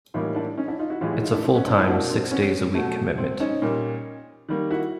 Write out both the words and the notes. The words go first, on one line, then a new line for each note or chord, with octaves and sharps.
It is a full-time, six- days-a-week commitment.
A2 E3 G3 A#3 D#4 F4
D4 E4
C#4 D#4
D4 E4
D#4 F4
E4 F#4
A2 E3 G#3 F4 G4
E4 F#4
D#4 F4
D4 E4
C4 D4
B3 C#4
C4 D4
D4 E4
B2 F#3 A#3 D4 E4
C4 D4
B3 C#4
B2 F#3 A3
C4
C#4 D#4
A#2 G3 A#3
D#3 G3 A#3
E4 F#4